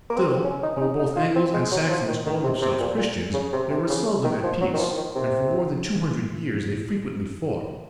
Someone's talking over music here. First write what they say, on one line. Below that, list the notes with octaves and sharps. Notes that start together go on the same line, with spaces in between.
Still, though both Angles and Saxons called themselves Christians, they were seldom at peace; and for more than two hundred years they frequently fought.
A#3
C4
C#4
D#4
C#4
D#4
D#4
F4
C4
G#3
F#3
F3
D#3
D#3
C3
C3
A#2
A#2
C#3
C3
C3
C#3
D#3
F3
F#3
D#3
F3
D#3
C3